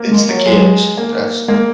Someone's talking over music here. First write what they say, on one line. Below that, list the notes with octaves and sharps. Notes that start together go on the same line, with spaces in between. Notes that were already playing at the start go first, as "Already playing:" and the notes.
It's the kids. That's
Already playing: A#3
G#3
F#3
G#3
A#3
G#3 A#3